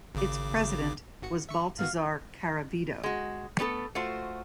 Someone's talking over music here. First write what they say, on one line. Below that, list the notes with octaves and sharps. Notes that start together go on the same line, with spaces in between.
Its president was Baltazar Caravedo.
G#1 C#3 D6
G#1 F#4 C#7
E5 C#6 C#7
G#2 B3 F#4 F5
G#3 F#4
A3 B3 G4 A4
A3 F4 F#4 C5